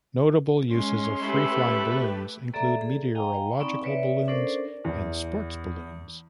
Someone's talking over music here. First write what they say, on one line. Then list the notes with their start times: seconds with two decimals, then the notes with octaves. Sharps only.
Notable uses of free-flying balloons include meteorological balloons and sport balloons.
0.71 G#3 C#4 C6
1.22 A3 E4 G4 A4 B4
2.54 A#3 A4 D5 E5 A#5
2.79 G#4 A4
3.15 D#5 F5 G5 G#5 A#5
3.59 C4 D#4 D5 B5 C#6
3.84 B4 C#5 D5 E5
4.28 C#4 D4 A4 A#4 C5 D5
4.84 E2